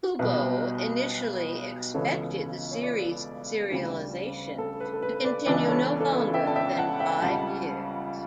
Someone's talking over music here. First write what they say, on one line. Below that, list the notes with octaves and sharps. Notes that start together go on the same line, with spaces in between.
Kubo initially expected the series' serialization to continue no longer than five years.
B1 B2 G3 B4
C#2 C#3 E3 B3 A4 C#5
C#5
B4 D5
D2 C#3 G3
A4
B4
A4
B4
B4 D5
C#2 C#3 E3 B3 D4 B4 D5
A4 C#5
A4
B4
E5 G5
A5
E5 G5
F#5 A5
E5 G5
C#2 C#3 G3 F#5 A5